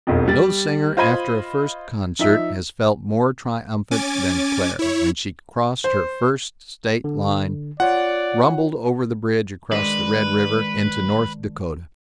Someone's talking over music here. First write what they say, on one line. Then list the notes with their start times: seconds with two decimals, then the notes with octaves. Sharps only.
No singer after a first concert has felt more triumphant than Claire when she crossed her first state-line; rumbled over the bridge across the Red River into North Dakota.
0.07 E1 B1 F2
0.28 G3 A6
0.97 F4 C5 D#5 B5 G#6 D#7
2.19 F3 D#4 E5
3.91 C#4 G#5 D6 A6
4.79 E4 C#5
5.84 C5
7.04 D3
7.80 F4 C#5 D5 F#5
9.72 D#3 G#3 D4 B4